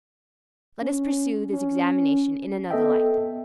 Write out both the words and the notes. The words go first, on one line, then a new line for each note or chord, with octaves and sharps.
Let us pursue this examination in another light.
C#4
C#4
B3 A4 D#5 E5 G5